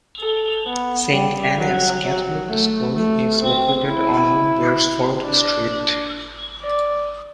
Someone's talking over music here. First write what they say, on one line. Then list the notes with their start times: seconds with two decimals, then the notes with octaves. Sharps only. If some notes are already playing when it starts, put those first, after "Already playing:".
Saint Annes Catholic School is located on Beresford Street.
0.20 A4
0.66 B3
1.11 G3
1.58 F#3
2.03 F#3
2.49 A3
2.95 A3
3.41 C4
3.87 E4
5.24 D4
6.61 D5